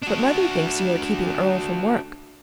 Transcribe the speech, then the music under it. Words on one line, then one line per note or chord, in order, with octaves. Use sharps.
"But mother thinks you are keeping Earle from work."
D4 F#4